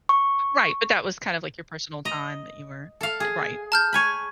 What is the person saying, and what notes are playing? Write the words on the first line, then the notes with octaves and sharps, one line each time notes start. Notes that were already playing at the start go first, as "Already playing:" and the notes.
Right. But that was kind of like your personal time that you were Eh, right.
C#6
D#5 A#5
A4 F5
G#4
A5 F6 G6
C#5 G#5 B5